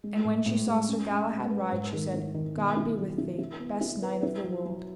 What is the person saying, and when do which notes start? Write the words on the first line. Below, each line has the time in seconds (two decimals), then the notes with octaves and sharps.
And when she saw Sir Galahad ride, she said: God be with thee, best knight of the world.
0.04 G#3
0.24 A2
0.46 A2
0.67 G#3
0.88 C#4
1.09 C#4
1.30 G#3
1.50 B4
1.72 G#2
1.93 D#3
2.13 E4
2.34 D#3
2.55 B2
2.77 E4
2.97 F#3
3.18 E4
3.38 E4
3.59 B3
3.81 E4
4.02 B4
4.23 E4
4.44 F#3
4.65 F#3